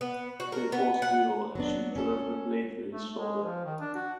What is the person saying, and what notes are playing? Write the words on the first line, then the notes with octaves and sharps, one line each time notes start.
They fought a duel and she drove her blade through his shoulder.
B3
F#4
A#4
B3
F#5
F#3 B3 D4
C#4 A4
A3
G#3
F3
D#3
D4
F#4